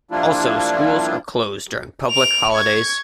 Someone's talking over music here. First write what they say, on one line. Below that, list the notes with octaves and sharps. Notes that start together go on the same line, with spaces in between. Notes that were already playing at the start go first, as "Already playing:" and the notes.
Also schools are closed during public holidays.
F3 G3 A#3 D4 E4 F4
D7 F7
C#6 G#6